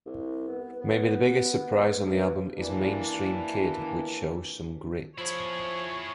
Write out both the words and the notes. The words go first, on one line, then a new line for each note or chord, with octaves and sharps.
Maybe the biggest surprise on the album is "Mainstream Kid," which shows some grit!
C2
B3
B3
G2
E3 A#3 D4
F3 E4 G#4 C#5